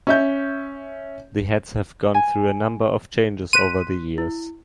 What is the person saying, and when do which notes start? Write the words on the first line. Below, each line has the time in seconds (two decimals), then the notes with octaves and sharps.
The heads have gone through a number of changes over the years.
0.07 C#4 E5 G6
2.14 G#5
3.53 C6 F#6 B6 D#7
4.18 E4